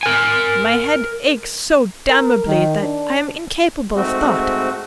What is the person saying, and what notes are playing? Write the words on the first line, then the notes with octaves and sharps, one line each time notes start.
My head aches so damnably that I am incapable of thought.
A#4 G#5
A#4
D#3
D4
G#2 A3 C4 F#4